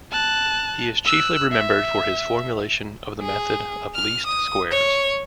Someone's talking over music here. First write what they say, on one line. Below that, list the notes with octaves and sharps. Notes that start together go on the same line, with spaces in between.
He is chiefly remembered for his formulation of the method of least squares.
A5 F#6
E6 F#6
E5
G#4
F6
D#6
C#5